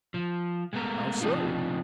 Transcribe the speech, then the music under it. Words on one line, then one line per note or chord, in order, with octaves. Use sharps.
"How so?"
F3
G#3 A3 B3 A4 A#4
F3 C4 D4 D#4 F4